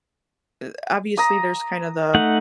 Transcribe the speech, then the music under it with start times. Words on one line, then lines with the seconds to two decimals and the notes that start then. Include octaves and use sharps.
eh, obviously, there's kind of the
1.17 A#5 D#6
2.14 A3 D#4 F#5